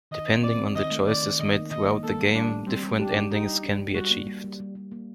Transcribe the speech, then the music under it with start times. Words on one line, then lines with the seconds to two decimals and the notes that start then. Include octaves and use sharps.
Depending on the choices made throughout the game, different endings can be achieved.
0.11 D#3 D#5
0.28 C4
0.43 C4 D5
0.60 C4
0.75 D#3 D#5
0.91 A3
1.07 D#3 D5
1.23 D#3
1.39 D#3 D#5
1.56 A#3
1.71 D#3 D#5
1.87 A#3
2.04 A#3 A4
2.19 G3
2.36 G3 D4
2.51 A#3
2.67 G3 C4
2.83 G3
2.99 D4 G4
3.16 D4
3.31 D#4 G4
3.47 G3
3.64 D4
3.79 G3
3.95 G3 F#4
4.11 A#3
4.27 G3
4.44 G3
4.60 G3
4.75 G3
4.92 A#3